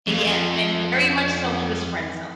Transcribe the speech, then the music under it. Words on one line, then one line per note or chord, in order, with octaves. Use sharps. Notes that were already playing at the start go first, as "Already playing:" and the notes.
Yes, and very much so he was friend zoned,
F2 F3